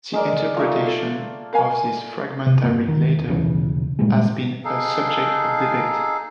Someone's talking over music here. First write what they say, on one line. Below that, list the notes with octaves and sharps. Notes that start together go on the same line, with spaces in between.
The interpretation of this fragmentary letter has been a subject of debate.
G#3 A#4 D5
A3 A#3 D#4 F4 A#5
A4 F5
A#4 F5 G#5
C3
G1 E2 A#3
E1 D#3
D#1 B1 C#3 E3
G#1 A#2 G3 G#3
D#4 G#4 A4 F5